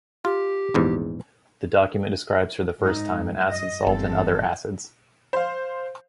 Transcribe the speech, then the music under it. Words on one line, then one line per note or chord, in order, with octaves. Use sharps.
The document describes, for the first time, an acid salt and other acids.
F4 G4
A#1 E2 G#2
G#2 D#4
F#2
D#5
G1 E3 C4 A4
C5 F5